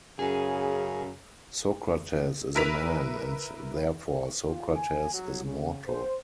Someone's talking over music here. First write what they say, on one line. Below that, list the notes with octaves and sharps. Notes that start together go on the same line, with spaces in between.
Socrates is a man, and therefore Socrates is mortal.
F#2 C#3 G#4
E4 A#4 B4 B6 F7
F4
G#5
F#3
C#3
C5